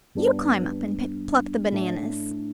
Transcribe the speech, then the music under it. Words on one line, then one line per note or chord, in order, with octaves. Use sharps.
You climb up and pluck the bananas.
G2 G3 B3 D4
A2 A3 D4